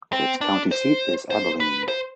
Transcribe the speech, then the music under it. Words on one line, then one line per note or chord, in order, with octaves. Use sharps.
Its county seat is Abilene.
C4
D4
C5
C5
B4
C5